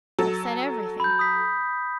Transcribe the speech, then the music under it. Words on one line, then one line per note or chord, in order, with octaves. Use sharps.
I've said everything....
F#3 A4
B5 G6
D#6 B6